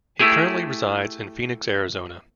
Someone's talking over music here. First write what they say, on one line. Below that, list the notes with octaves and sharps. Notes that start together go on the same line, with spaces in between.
He currently resides in Phoenix, Arizona.
A3 E4 G4 G#4